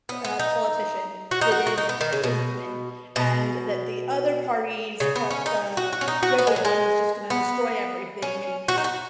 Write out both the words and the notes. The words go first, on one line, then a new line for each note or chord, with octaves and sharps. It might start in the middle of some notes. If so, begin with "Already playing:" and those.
u uh, politician didn't didn't win and that the other parties pol uh, whoever won is just gonna destroy everything, and
B3
B3
D#4
F#4
D#4
F#4
F#4
D#4
B3
D#3
C#3
B2
B2
C#3
B3
C#4
D#4
F#4
F#4
C#4
D#4
F#4
B3
G#3
F#3
G#3
B3
C#4
F#4
D#4
F#4